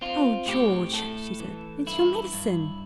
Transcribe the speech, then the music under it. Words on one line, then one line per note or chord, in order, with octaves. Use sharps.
"O George," she said, "it's your medicine!"
C4 F4
A2 G4
A3 A4
E3
G2 E4
G2